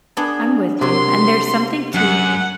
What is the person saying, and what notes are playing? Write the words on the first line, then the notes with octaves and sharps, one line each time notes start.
I'm with you. And there's something to
B3 D4 G#4
C3 F#3 F#4 A#4 C6
F#2 F#5